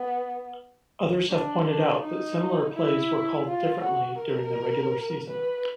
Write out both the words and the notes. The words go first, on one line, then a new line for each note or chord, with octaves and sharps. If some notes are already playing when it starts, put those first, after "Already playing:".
Others have pointed out that similar plays were called differently during the regular season.
Already playing: B3
D4
D4
D#4
E4
F4
F#4
A#4
B4